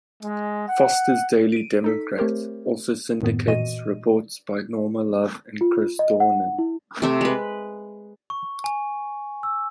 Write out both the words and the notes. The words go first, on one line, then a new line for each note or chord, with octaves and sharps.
"Foster's Daily Democrat" also syndicates reports by Norma Love and Chris Dornin.
G#3
F#5
D7 D#7
D#4 A4 B6
A3 C4 G4 A#4 C5 C#5
F#2 A2 D#3 B3
A#2 E3 F#4 D#5 D#7
F4
D#5
F#5
E4
C3 A3 E5
G#3 B4
C#6
G#5
E6